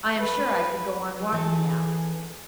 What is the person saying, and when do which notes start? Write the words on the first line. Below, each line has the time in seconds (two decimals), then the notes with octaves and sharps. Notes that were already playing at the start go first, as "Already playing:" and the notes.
I am sure I could go on walking now.
0.18 B4
1.32 E3 G#4 A4